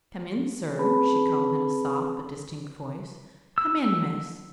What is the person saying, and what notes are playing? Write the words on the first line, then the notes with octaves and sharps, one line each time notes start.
"Come in, sir," she called in a soft but distinct voice; "come in, miss."
C4 C#4 G#4 B4 A5 B5
E6